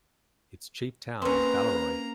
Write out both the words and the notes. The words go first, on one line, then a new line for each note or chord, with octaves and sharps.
Its chief town is Balleroy.
A#3 C4 C#4 B4 A#5